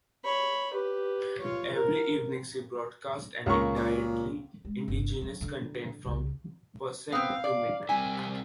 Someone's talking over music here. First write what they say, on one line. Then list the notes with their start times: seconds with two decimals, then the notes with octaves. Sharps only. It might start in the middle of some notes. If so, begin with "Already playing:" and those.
Every evening she broadcasts an entirely indigenous content, from % to midnight.
0.24 C#5 B5
0.73 G4 B4
1.39 F4 C#5
1.74 A#4
3.46 C#2 A#3 C#6
3.75 A#2
4.65 G#3
4.88 G1 C2
5.21 F#3
5.41 D3
6.05 C2 C#3
7.12 B3 C4 F5
7.44 D5
7.89 G3 C4 E4 G#5